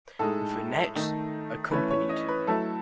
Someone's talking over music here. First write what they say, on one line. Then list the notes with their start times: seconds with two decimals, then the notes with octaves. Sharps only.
Vernet accompanied him.
0.19 A2 G#3 D#4 A4
0.95 D#3 A3 D#4
1.71 E3 A3 C#4 E4 B4
1.91 C#5
2.09 D#5
2.28 B4
2.47 F#3 A3 E4 A4